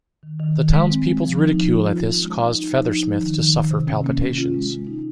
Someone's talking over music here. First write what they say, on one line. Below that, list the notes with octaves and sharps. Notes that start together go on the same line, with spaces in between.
The townspeople's ridicule at this causes Feathersmith to suffer palpitations.
D#3
D#3
D#3
G#3
C4
G#3
F3
D#4
F3
F4
F4
C#4
G#3
D#4
D#4
F3
D#4
F3
D#3
D#3
D#3
C3
C#4
A#3
C#4
F4
G#3
G#3
D#4